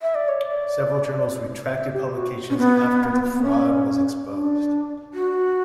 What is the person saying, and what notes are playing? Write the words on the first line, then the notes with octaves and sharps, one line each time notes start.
Several journals retracted publications after the fraud was exposed.
E5
D5
C#5
D5
E5
G4
F#4
C#4
B3
B3
C#4
D4
F#4